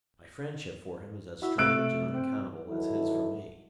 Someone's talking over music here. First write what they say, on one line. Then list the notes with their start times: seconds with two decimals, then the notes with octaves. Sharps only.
My friendship for him is as strange and unaccountable as his for me.
1.42 E4 F#4 E5
1.58 C3 A3 E6 F#6 D7
2.12 C4
2.66 D#3 E3 F#3 E4 A4